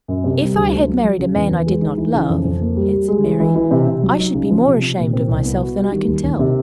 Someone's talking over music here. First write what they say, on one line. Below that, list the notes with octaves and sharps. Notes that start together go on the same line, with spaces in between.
"If I had married a man I did not love," answered Mary, "I should be more ashamed of myself than I can tell."
F#2
C3
G3
D2
A3
F#3
F#3
C#3
E2
E2
G#3
D#4
E3
C#3
F2
F2
A#3
G3
G3
G#3
E3
E3
E3
C3
C3
F#3
D#4
C#3
F3
C3
C3
A#2
C4
C2
B3
F#4
G3
D#3
D#2
D#2
C3